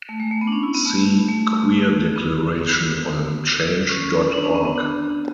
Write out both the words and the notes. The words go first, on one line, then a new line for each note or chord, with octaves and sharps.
See Queer Declaration on Change dot org.
A3
G#3
A3
B3
D4
C#4
E4
B3
A3
A3
B3
C#4
D4
C#4
B3
B3
D4